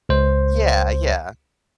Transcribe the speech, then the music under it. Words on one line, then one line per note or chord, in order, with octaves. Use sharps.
Yeah, yeah.
C#2 C5